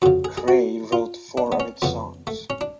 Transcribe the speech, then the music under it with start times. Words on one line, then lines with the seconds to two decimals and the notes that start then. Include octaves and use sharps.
Cray wrote four of its songs.
0.02 F2 C#3 F#4
0.25 G#4
0.38 G#4
0.48 F#4
0.92 F4
1.37 D4
1.52 B3
1.60 C#4
1.82 F2 C#3 B3
2.27 A3
2.50 C#4
2.61 D4